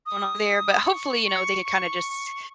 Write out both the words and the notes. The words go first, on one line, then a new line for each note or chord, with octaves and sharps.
going on there, but hopefully, you know, they can kinda just
D#6
C#6
C#6
C#6